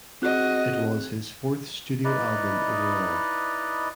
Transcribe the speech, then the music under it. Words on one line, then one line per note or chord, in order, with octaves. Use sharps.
It was his fourth studio album overall.
C4 F#4 G#4 D#5 F#6
D#4 E4 B4 D5 D#5